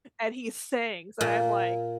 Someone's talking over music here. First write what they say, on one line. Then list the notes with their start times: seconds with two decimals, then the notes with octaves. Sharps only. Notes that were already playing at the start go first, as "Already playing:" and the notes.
and he sings, and I'm like,
1.21 A#2